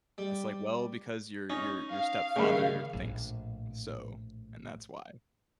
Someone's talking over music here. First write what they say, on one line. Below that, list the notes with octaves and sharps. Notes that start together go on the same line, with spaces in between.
it's, like, "Well, because your your your stepfather thinks so, and that's why."
G3
C#4 D#4
F5
D#2 A2 C#3 G3
A#1 A2